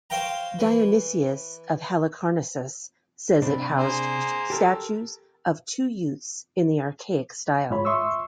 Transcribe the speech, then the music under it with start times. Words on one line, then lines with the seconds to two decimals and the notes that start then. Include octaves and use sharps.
Dionysius of Halicarnassus says it housed statues of two youths in the archaic style.
0.10 C5 C#5 F5 G5 A#5
0.59 E3
3.42 C3 C4 D4 B5
3.77 A#3 G#4 C5
4.50 G4 A4 A#4
7.70 G#2 G#3 F4 C#5 B5
7.85 E5 C6 C#6 D#6 E6